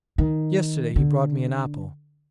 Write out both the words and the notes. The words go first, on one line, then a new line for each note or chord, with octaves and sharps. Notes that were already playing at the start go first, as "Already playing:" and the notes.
Yesterday he brought me an apple.
D#3
D3